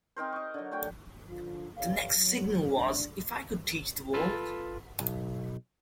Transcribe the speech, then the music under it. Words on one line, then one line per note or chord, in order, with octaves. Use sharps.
The next single was "If I Could Teach the World".
C4 D#4 A#4 C5
D#5 C#6
D3 F#3
A3 F#4 G5
D3 F3 F4
G4 A4 B4 C#5 D5 F5
F#3
G#3 D4
F4 A4 B4
B1